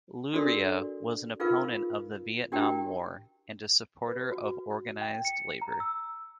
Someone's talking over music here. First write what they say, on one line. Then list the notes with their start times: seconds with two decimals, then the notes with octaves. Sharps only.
Luria was an opponent of the Vietnam War and a supporter of organized labor.
0.33 D4 F#4 A4 A#4 D5 C6
1.40 D#4 F4 G#4 A#4 B4 F5
2.52 D4 E4 F#4 G4 A#4 G5
4.08 B4
4.32 F#4
5.01 G5
5.25 C#7
5.62 A#5
5.80 E6